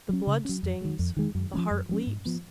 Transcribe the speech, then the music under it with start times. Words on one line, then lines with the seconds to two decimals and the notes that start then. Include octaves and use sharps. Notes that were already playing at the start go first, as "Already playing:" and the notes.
The blood stings. The heart leaps.
0.09 F#3 C#4
0.27 C#3
0.45 F#3 C#4
0.63 F2
0.81 D#3 G#3
0.99 F2
1.17 D#3 G#3
1.35 F#2
1.53 F3 G#3 C#4
1.71 F#2
1.89 F3 G#3 C#4
2.07 G#2
2.25 F3 B3